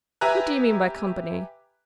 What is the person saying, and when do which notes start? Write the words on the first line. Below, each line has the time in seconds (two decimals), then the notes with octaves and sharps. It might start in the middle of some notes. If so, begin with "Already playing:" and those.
"What do you mean by company?"
0.21 G4 B4 E5 G#5 A#5 F#6